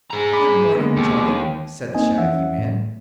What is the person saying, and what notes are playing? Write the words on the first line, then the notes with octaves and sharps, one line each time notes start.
"Good morning, Johnny," said the shaggy man.
G#4 A#5
B5 D6 B6
G#3 A#3 B3
D#2
A#3 C4 D#4 D#5 G#5
E3 C#4 E5 F#5
A2